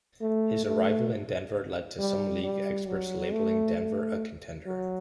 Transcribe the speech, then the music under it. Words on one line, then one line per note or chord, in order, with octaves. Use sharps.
His arrival in Denver led to some league experts labeling Denver a contender.
A3
A3
G3
G3
F#3
A3
A3
F#3